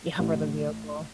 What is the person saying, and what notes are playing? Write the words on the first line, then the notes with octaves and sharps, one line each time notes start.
Yeah, for the vehicle.
A1